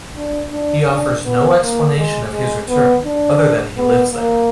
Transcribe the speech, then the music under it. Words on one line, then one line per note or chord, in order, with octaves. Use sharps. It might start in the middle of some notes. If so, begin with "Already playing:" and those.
He offers no explanation of his return, other than he lives there.
D4
D4
D4
B3
A#3
G#3
G#3
B3
D4
B3
A#3